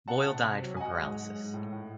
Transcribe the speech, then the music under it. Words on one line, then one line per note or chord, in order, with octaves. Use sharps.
Boyle died from paralysis.
C3 F#5 A5
C3
C3
F#3
G#5
F#3 D#5 F#5
G#2
G#2
G#2
A2
A2